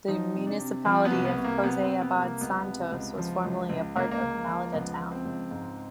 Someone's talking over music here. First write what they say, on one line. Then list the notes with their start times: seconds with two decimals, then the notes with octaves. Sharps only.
The Municipality of Jose Abad Santos was formerly a part of Malita town.
0.08 F3 D#4
0.34 C3
0.47 D4
0.59 C3
0.85 F3 C4
1.05 B3
1.12 C2
1.25 B3
1.37 C2
1.44 A#3
1.63 C3 B3
1.82 C4
1.90 C3
2.01 B3
2.15 C2
2.22 A#3
2.41 C#2 B3
2.67 C3
2.92 C#2
3.18 F3
3.44 C#2
3.69 C#2
3.96 C#2 A#3
4.11 A#3
4.22 C#2
4.47 F3
4.73 C#2 B3
4.99 F3
5.12 C4
5.25 C#2
5.51 G#2